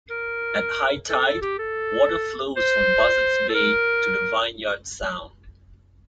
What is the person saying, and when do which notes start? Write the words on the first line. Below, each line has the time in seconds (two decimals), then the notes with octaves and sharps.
At high tide, water flows from Buzzards Bay to the Vineyard Sound.
0.10 A#4
1.09 A4
1.25 A4
1.42 G4
1.59 A4
2.56 C5
3.49 A4
3.55 A#4